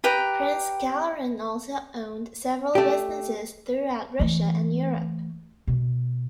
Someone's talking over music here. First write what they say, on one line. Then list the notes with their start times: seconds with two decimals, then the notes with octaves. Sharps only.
Prince Gagarin also owned several businesses throughout Russia and Europe.
0.04 G4 B4 G5 A#5
2.75 A3 G4
4.19 E3 A3
5.67 B2